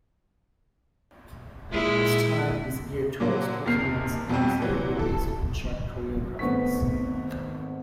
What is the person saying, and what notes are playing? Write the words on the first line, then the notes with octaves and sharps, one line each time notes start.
The style is geared towards performance and is heavily based on short choreographies.
A#2 G#3 E4
A#2 D3 F#3 A#3
F#1 D#2 C3 A#3 F6 C7
F2 B2 G3 C4
A#2 E3 F#3
E4 A4
G#1 A3 B3 C5 C#6 B6